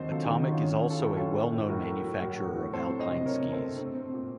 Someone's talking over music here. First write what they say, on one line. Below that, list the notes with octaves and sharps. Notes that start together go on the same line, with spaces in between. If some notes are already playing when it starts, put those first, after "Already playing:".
Atomic is also a well-known manufacturer of alpine skis.
Already playing: D#2 F#3 C4 C5 D#5
F#3 F4 A4
D#4 F#4
D#3
D#4
D#3 C#4 F4
C#4
C#4
F4 A4
A2
C#4 F4 A4
A3
A2
A2 F#4 A#4
A3
F#3
A2 F#4 A#4
A3
A2
C4 A4 C5
F#3
C5 D#5
C3
C4 A#4 C#5
C3
A4 C5
A3
C4
C4
A#2